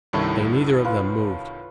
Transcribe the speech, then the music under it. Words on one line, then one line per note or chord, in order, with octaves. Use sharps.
They neither of them moved.
C2 G2 D#3 E4 A4 C#5
F4 B4